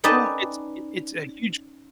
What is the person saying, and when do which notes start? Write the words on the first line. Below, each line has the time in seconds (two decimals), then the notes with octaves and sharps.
Well, it's i it's a huge
0.04 C#4 D#4 B4 D5 G5 A5